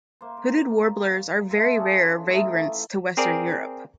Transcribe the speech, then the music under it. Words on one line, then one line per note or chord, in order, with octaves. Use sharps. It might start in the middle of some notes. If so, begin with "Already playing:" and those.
Hooded warblers are very rare vagrants to western Europe.
A#3 C5
A#4
F4 A4 C5 E5
C#4 D4 G#4 A4
E3 A3 D#4 F4
C4 G#4 A#4 D5